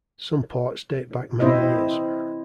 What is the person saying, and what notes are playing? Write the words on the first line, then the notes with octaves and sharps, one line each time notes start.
Some ports date back many years.
C4 E4 C5 D#5